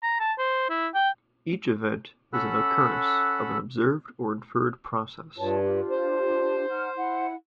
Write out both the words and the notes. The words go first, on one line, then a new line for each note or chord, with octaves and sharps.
Each event is an occurrence of an observed or inferred process.
A#5
A5
C5
E4
G5
C#4 A4 F#5 B5 E6 F#6
G2 F4 C#5 A5
D4 F4 G4
C5
D#4 F#5 F6
E4 F#5